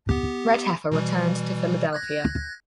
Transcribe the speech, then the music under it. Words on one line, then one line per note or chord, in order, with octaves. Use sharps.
Redheffer returned to Philadelphia.
B3 G4
B2 E3 G3
F#6 G#6 A#6